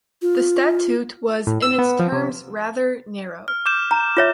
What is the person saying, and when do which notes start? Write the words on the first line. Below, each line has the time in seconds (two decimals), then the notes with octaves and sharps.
The statute was in its terms rather narrow.
0.22 F4
1.47 A2
1.62 E6
1.78 B3
1.99 F3
2.12 C3
3.48 F6
3.66 D6 G6 E7
3.91 A#5
4.17 F4 C#5 E5